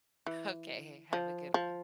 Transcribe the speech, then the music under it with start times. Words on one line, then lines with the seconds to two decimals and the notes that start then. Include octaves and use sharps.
Okay, h have a good one.
0.27 E3
1.13 F3
1.54 F3